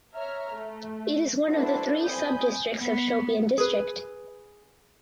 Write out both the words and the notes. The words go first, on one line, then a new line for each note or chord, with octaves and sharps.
It is one of three sub districts of Shopian district.
C#5 E5 A#5 F6
A3
D4 E4 F#4 A4 B4 C5
C4 G#5 B5 D#6 G6
B3
G#4 B4